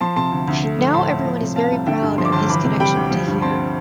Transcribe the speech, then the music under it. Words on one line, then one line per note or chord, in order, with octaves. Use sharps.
Now everyone is very proud of his connection to here.
F3 A5 C6
C3 A5 C6
D2
D2
A3
F3
A2 A5 C6
A2
F3
C3
C4 F5 A5
C2
D3 E5 G5
G2
F3 C6
D6
G1 A5 C6
E3 B5 D6
C3
G3 G5 B5
D2
F3
G2
C4 A5 C6